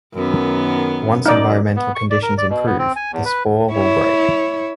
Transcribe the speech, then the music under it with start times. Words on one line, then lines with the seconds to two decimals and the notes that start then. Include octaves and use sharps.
Once environmental conditions improve, the spore will break.
0.14 F#2 D#3 B3
1.26 F#2 D#4 D5
1.76 B3
1.95 C#6
2.11 D5
2.23 A#4
2.38 D5
2.50 B2
2.66 B3
2.79 C4
2.96 G#5
3.12 E2
3.25 B4
3.73 E4 C#5